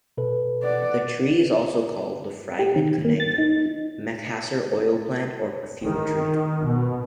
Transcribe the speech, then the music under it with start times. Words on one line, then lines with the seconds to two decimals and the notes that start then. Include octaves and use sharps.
The tree is also called the fragrant cananga, Macassar-oil plant, or perfume tree.
0.17 B2 A4 B4
0.63 D5 F#5
2.59 G4
2.76 D#3
3.05 A#3
3.20 A6
3.38 D#4
5.84 D#3
6.66 B2